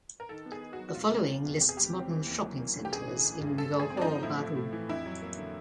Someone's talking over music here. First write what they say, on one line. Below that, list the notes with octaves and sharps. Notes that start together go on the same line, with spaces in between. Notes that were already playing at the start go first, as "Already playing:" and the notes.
The following lists modern shopping centres in Johor Bahru.
A#4
D#3 A4
B3
G#4
D#4
F#4
F#3
F#4
E1 F4
C3
E1
E2
C3 G4
G#4
G3 G4
C4
E3
D#2
F#3
A#3
D3
G4
A1 G#4
E3
A1
G2
D3 A4
A3
G#4
C4
D4
D#4
F3
A2 E4
A3
A2
E3
F2 E4
F#3
A#3
D3